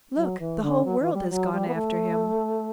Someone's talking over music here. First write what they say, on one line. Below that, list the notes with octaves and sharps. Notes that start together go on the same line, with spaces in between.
"Look, the whole world has gone after him!"
F#3
E3
D3
F#3
E3
G3
F#3
G3
B3
A3